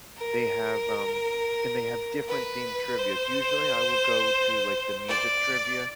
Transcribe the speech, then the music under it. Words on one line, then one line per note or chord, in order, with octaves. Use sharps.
They have, um and they have different themed trivias. Usually, I will go to, like, the music trivia.
A#4
B4
C5
D5